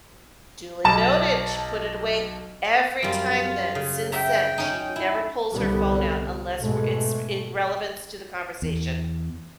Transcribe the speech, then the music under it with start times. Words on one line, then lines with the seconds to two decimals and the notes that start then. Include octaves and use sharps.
"Duly noted." She put it away. Every time then, since then, she never pulls her phone out unless we're it's in relevance to the conversation,
0.85 B1 A5 E7
3.03 F#2 G3 F4
3.75 C#3
4.12 E5 G5 A#5
4.58 C#4 D#4
4.96 E4
5.54 C2 D3 G3 B3
6.59 G#2 B2 G#3 A3
8.62 E2